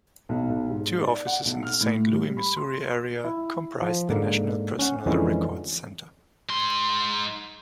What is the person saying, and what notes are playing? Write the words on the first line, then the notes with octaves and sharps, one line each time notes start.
Two offices in the Saint Louis, Missouri area comprise the National Personnel Records Center.
B1
B1
G#2
D5
F#5
B1
F6
A2
G3
B5
C6
E4
F3
G#2 D3 A#3
C#4 F#5
F2 D3 E3 G#3 C#4
G#2 C6